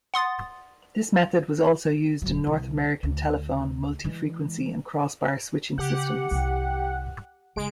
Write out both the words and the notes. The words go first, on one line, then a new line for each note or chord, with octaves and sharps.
This method was also used in North American telephone Multi-frequency and crossbar switching systems.
F#5 C6 D#6 A6
D#1 F#3
C2
D2
E3 G#3
C#3 G4 F#5
C2 D#3
F#1 G#3 D7